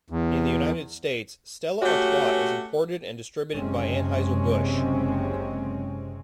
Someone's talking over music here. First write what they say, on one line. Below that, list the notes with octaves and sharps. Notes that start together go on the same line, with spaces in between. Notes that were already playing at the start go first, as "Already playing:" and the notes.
In the United States, Stella Artois is imported and distributed by Anheuser-Busch.
E2
A3 C#4 F#4 G4
F#1 C3 G#3 C4 C#4